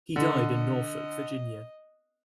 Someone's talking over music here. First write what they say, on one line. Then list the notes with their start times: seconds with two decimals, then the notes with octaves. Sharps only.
He died in Norfolk, Virginia.
0.16 D3 D#5
0.53 D#5